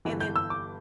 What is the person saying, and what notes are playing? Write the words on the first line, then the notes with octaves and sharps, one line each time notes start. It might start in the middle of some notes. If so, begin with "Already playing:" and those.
and then,
G1 G2 E3
G6
E6
D6